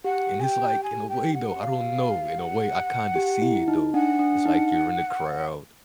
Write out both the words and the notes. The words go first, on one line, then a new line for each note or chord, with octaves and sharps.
And it's, like in a way, though I don't know, in a way I kinda see it, though. It's, like, you're in the crowd,
G4 F#5
G#5
G5
G#5
G5
F#5
F5
F#5
G4
E4
D#4
D4 F#5
D4
D#4